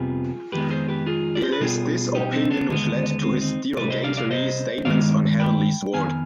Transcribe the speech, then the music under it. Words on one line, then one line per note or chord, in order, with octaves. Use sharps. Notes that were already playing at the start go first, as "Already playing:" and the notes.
It is this opinion which led to his derogatory statements on "Heavenly Sword".
Already playing: F2 C3 G3 B3 F4 G#4
F2 D#3 G#3 B3 G4 B4
G#4 C5
G4 B4
F4 G#4
D5
C5
B4
B2 G3 B3 F4 G#4
D#4 G4
C4 D#4
B3 D4
D#2 D3 G#3 B3
C4
C4 D#4
C2 C3 G3 B4 D5
C5 D#5
D5 F5
D5 F5
C5 D#5
G2 D#3 G#3 D5 F5
G5 B5
F2 D#3 B3 F5 G#5